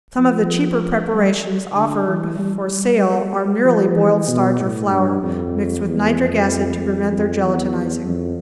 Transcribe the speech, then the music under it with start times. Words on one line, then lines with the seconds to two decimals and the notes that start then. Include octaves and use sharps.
Some of the cheaper preparations offered for sale are merely boiled starch or flour, mixed with nitric acid to prevent their gelatinizing.
0.19 F3
1.13 G3
1.75 D3
2.07 E3
2.39 G3
2.70 G3
3.65 F3
3.96 E3
4.28 B2
4.60 A2
4.90 G2
5.22 F2
5.86 E2
6.17 F2
6.80 F2
7.12 F2
7.43 E2
8.06 F2